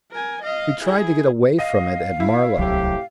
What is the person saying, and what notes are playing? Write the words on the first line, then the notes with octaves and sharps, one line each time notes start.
We tried to get away from it at Marlow.
A#4 G#5
D#5 F5
E4 G#4
D#5 F5 D#7
E4
D1 C2 A2 C3 F#3 G4